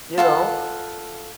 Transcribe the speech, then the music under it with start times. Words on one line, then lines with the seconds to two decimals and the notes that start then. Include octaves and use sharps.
you know?
0.18 F4 A4 F#5